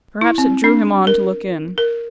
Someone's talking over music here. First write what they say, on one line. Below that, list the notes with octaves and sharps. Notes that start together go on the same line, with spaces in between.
Perhaps it drew him on to look in.
E4
C4
D4
A#4
A#4